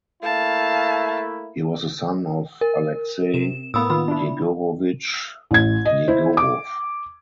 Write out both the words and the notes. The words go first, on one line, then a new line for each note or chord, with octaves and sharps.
He was the son of Alexei Yegorovich Yegorov.
A3 A#3 E4 F5 A5
A#4
C3 E7
A2 A#3 B3 B5 D#6 E6
D#3 B3 F4 B5
D4 E4
A1 G#6
D#5
E4 C5
D6